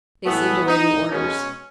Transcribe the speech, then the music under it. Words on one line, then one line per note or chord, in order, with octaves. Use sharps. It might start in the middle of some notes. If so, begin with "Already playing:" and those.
They seemed awaiting orders.
A2 E3 A3 B3
D#4
B2 G#3 C#4